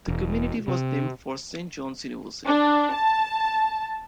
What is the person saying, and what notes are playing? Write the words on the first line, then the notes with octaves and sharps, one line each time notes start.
The community was named for Saint John's University.
E1
C3
D4
A5